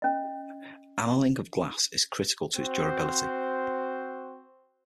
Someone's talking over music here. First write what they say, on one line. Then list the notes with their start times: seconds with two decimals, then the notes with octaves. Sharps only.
Annealing of glass is critical to its durability.
0.02 C#4 D#5
2.56 C4 F#4 C5